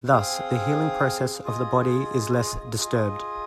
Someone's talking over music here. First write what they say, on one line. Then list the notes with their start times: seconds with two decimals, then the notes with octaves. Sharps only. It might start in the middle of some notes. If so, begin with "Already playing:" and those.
Thus, the healing process of the body is less disturbed.
0.11 C4 G#4 F5
1.45 F4 G#4 D#5
2.77 F4 G#4 D#5